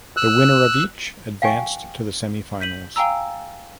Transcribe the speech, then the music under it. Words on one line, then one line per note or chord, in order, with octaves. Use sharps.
The winner of each advanced to the semifinals.
E6 F#6
F5 G5 G#5 C#6
G6 B6 D#7 F#7
F5 G5 G#5 A#5 E6